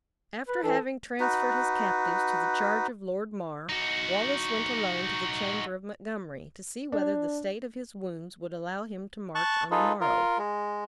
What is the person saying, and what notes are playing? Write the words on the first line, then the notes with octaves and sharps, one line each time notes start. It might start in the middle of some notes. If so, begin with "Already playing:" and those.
After having transferred his captives to the charge of Lord Mar, Wallace went alone to the chamber of Montgomery, to see whether the state of his wounds would allow him to march on the morrow.
B4
E3 A4
D#4 F#4 B4
D#4 F#4
D4
A5 C#6 F#6
D#4 F4 G#4 A4 B4
F4 A#4
G#3